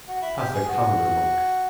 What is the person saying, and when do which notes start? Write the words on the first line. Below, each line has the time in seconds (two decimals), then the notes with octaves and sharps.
Pass a common remark.
0.08 F#4
0.22 E4
0.37 G4
0.53 G#4
0.68 F#4